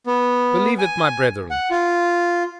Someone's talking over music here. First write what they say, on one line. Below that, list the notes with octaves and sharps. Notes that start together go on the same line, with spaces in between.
Believe it, my brethren!
B3
G#5
F#5
F4